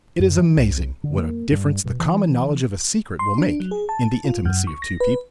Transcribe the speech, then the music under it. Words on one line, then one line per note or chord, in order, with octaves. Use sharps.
It is amazing what a difference the common knowledge of a secret will make in the intimacy of two people.
F#2
E3
C2
D3
A#3
G2
B2
E3
C6
D4
F#3
G#4
A5
F4
F#2
C#6
A#6
B4